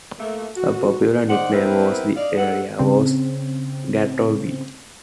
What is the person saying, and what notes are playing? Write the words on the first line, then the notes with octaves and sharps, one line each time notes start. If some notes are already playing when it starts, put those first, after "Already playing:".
A popular nickname for the area was Gatorville.
A3 A#3
F#4
D#3 C5 D5 F#5
B3 C4 E4 G4 A#4 B4
D5 D#5 F5
G#2 A4 F#5
C#3 C4